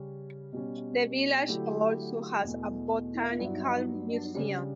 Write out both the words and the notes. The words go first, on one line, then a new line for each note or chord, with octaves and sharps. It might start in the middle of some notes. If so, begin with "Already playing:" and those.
The village also has a botanical museum.
Already playing: C#3 G3 C#4
B2 G3 C#4
D3 F#3 A3 E4 G4
E2 B2 A3
G2 F#3 B3 D4
C#3 G3 D4